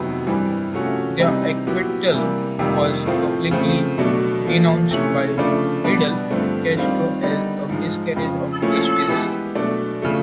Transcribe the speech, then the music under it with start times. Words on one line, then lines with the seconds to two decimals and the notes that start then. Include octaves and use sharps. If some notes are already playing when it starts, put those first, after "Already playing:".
Their acquittal was publicly denounced by Fidel Castro as a miscarriage of justice.
Already playing: F2 C3 D#3 F#3 B3
0.26 G2 E3 G3 C4 E4
0.73 C3 F3 A3 C#4 F#4
1.19 C3 E3 G3 C4 D#4
1.67 A#2 F#3 B3 E4 G4
2.12 C3 E3 G3 A#3
2.59 F2 C3 D#3 G3 A#3
3.05 A2 F3 A3 C4 F4
3.51 C#3 F3 A3 C4
3.98 B2 F#3 A3 D4
4.45 A#2 F3 A3
4.91 C3 E3 A3 C#4
5.38 C#3 F3 A3 D4
5.84 B2 G3 B3 D4
6.30 G2 D3 F3 A3 C4
6.77 D#3 G3 C4 F4
7.23 D3 G3 B3 D#4
7.69 G#2 F3 G#3
8.16 F2 C#3 F3
8.62 A#2 F3 A3 C#4 E4
9.08 E3 G#3 B3 E4 G4
9.55 B2 F#3 A3 D4
10.02 C#3 F3 A3